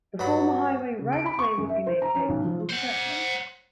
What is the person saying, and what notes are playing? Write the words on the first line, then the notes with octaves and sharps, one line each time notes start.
The former highway right of way would be made available to development.
G2 F#3 F#4 B5
C#3
D7
B5
C#6
F#2
E5
C5
A#5
C#4
B1
F3
C5 F#5